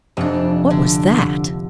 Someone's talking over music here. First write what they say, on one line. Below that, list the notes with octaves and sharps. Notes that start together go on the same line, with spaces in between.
What was that?
F1 F2 D4
D3